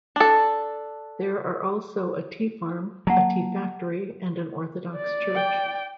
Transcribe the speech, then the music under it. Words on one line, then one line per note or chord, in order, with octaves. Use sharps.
There are also a tea farm, a tea factory and an Orthodox church.
D4 A4
F#3 A#3 F#5 A5 A#5
D5
G5